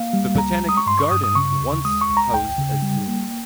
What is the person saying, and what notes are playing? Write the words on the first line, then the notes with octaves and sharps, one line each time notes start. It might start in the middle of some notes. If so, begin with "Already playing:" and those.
The Botanic Garden once housed a zoo.
Already playing: A#3 F5
G3
C#2 A#5
G#3
D#6
C#6
G2 C6
C#6
G2 D#6
D#6
C#3 C#6
D#2
G#3 D#6
C#6
C2
A#5
D#2 G5
C#3
G3
A#3